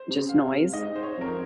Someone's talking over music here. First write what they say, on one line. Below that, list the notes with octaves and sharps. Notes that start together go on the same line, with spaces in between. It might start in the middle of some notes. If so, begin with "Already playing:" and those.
just, noise,
Already playing: C5
C3
C#3
F5
C3
G#2 D#5
C5
C#5
F2 A#4